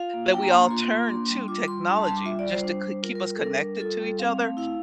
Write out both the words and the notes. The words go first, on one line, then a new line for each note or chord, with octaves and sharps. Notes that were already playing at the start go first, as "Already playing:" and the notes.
that we all turned to technology just to k keep us connected to each other,
Already playing: F4 F5
A#3
D4 G5
A#5
A#3 C6
A#5
F4 C6
A#3
D4 C6
G3
F4 D6
G3 C6
D4 C6
A5
G3 C6
D6
F4 E5
D5
G3
C5
D4
G3
F4 A#4
A#4
G3
A4
D4 A#4
G3
F4 A4
G3
C4 F5
A3
E4 F5